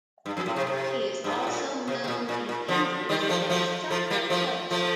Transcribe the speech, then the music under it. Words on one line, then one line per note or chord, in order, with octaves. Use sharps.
He is also known in English as "Charlie Corsey".
G2
F2
A2
C3
C3
G2
A2
A#2
C3
C3
A#2
A#2
A#2
D3 F3
D#3 G3
G3
F3 A3
F3 A3
F3 A3
G3 A#3
F3 A3
F3 A3